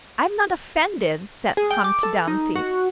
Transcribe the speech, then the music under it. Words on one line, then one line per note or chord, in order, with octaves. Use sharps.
'I'm not offended,' said Humpty Dumpty.
G#4
G5
D6
A4
D#4
F#4